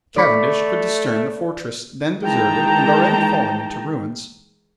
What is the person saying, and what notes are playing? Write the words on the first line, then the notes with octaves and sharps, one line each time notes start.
Cavendish could discern the fortress, then deserted and already falling into ruins.
A3 D5 B5 C#6
D#3 E3 G#3 G5 A5 A#5